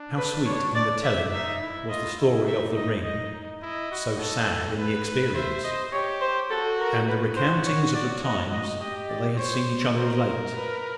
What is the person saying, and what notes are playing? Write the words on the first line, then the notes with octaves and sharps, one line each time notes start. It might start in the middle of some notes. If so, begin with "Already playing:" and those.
How sweet in the telling was the story of the ring, so sad in the experience! and the recountings of the times that they had seen each other of late.
Already playing: D4
B4
C#5
D5
E5
D#4 E5
E4
F4 D#5
E4
D#4 E5
D#5
D#5
E4 D#5
F#4
A4
B4
C5 E5
D#5
G4 C#5
C5
F#4 A4
A#4
F#4 B4
C5
C#5
D5
D#5
D#5
G4 D#5
D5
C5 C#5
A#4 C5
B4